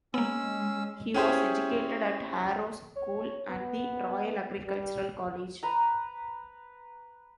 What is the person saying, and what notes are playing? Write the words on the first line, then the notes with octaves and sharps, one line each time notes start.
He was educated at Harrow School and the Royal Agricultural College.
G#3 A#3 B3 C#4 E6
C#4 E4 G4 G#4 C5
C#5
B3
G3
B4 A#5